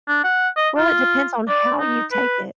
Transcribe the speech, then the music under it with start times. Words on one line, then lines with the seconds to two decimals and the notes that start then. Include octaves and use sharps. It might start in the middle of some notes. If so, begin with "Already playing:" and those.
Well, it depends on how you take it.
0.08 D4
0.24 F#5
0.56 D#5
0.78 F4
1.49 D5
1.79 D#4
2.11 B4